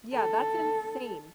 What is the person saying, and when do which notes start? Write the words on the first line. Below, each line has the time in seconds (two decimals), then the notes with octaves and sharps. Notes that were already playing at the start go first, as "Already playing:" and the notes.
Yeah. That's insane.
0.14 A4